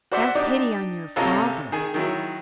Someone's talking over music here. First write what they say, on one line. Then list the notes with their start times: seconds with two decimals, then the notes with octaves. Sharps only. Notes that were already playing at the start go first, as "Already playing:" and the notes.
'Have pity on your father!'
0.12 F#4 C5 D5 E5 F#5
0.35 D4 D#4 G4 D5
1.16 G#1 C3 C#4 F4 A4 A#5
1.72 D#3 G#4
1.94 D#3 F#3 E4